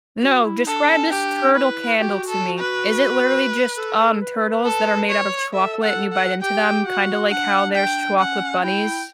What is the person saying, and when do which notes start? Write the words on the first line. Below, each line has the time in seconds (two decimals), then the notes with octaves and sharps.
No, describe this turtle candle to me. Is it literally just, um, turtles that are made out of chocolate and you bite into them, kinda like how there's chocolate bunnies?
0.23 F#4
0.44 E4
0.66 D4 A4
0.89 C#4
1.11 D4 G4
1.55 E4 B4
1.99 F#4 G4
2.29 A4
2.59 B4
3.77 A4
4.21 B4
4.65 A4
5.09 C#5
5.53 A4 E5
5.83 F#5
6.13 F#5
6.42 G4 G5
6.86 F#4 F#5
7.30 D4 F#5
7.75 D4 G5
8.19 C#4 F#5
8.63 E4 G5